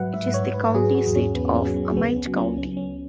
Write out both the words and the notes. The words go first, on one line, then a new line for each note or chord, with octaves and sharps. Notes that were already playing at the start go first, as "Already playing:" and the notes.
It is the county seat of Amite County.
Already playing: G#2 F#3 B4 E5 F#5
G#2 E5
C#5
G#2
B4
F#3 G#4
F#4
E2
C#4
E2 B3
C#4
F#3
C#4
C#2 B3
B3
C#4
F#3
C#4
C#2 C#4
C#4